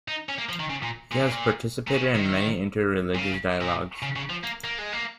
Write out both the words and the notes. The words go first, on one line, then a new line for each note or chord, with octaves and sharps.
He has participated in many inter-religious dialogues.
D#4
C#4
A#3
F3
D#3
C#3
A#2
A#2
C#3
A#2
A#2
C#3
D#3
A#2
C#3
A#2
C#3
C#3
F3
A#3
A#3
G#3
A#3